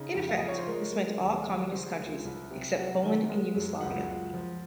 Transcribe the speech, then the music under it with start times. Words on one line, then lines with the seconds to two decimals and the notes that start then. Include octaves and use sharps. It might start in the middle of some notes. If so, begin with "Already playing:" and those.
In effect, this meant all communist countries, except Poland and Yugoslavia.
Already playing: C#3 D#4
0.15 F2
0.29 F5
0.38 F2 D#5
0.48 C#5
0.57 C5
0.67 G#3 A#4
0.93 G#3
1.20 D#2
1.46 F3
1.72 C#3 C5
1.98 C#2
2.25 C2
2.50 C3
2.77 F#3 F#5
3.03 D#3
3.29 G#3
3.55 F#2
3.81 C#2 F#5
4.07 C#2
4.34 F3